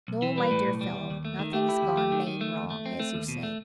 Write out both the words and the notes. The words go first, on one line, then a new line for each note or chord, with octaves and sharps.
No, my dear fellow, nothing's gone main wrong, as you say.
B1
E3
G3 B4
A2
B1
G3
D#2
D#2
A3
D#3
A3 G4
E4
D#2
A3
D#3
D#3
A3
D#2
A3
C4
A3
D#2
B2
A3